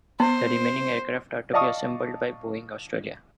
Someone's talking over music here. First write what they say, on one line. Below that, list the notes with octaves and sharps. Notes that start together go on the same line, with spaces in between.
The remaining aircraft are to be assembled by Boeing Australia.
B3 C5
D5 D#5 F5 A5 C#6 D#6